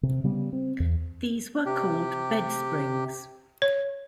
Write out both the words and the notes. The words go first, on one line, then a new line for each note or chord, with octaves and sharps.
These were called bedsprings.
C3
C#3 G3 B3
C4
E2
C3 G4
C#5